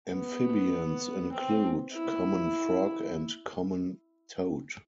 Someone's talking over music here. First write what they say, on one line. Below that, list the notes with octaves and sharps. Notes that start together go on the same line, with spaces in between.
Amphibians include: common frog and common toad.
B3
C4
E4